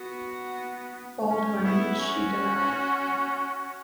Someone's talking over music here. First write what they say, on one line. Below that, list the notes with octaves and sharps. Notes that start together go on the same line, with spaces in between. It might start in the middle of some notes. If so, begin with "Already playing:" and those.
Baldwin, which she denied.
Already playing: B3 F#4
C#4
B3 E4
C#4 F#4